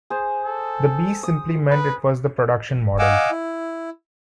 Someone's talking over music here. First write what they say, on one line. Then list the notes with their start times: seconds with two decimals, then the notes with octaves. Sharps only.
The "B" simply meant it was the production model.
0.10 G#4 C5
0.45 A4
1.23 D#6
1.70 B4
2.99 D#5 F5 F#5 G#5 D6 E6
3.31 E4